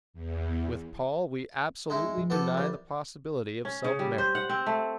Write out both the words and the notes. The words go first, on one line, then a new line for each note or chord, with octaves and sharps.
With Paul we absolutely deny the possibility of self merit.
E2
G#3 D#4 E4
F3
B3 G4 A4 B4
C2 G3
C#4
C#3
G3
C5
F#5
C4
A3